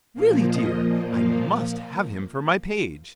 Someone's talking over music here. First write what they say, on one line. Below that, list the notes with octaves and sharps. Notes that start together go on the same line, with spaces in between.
Really, dear, I must have him for my page.
A#2 F3 A#3
D#5
A#2 F3 A#3
F5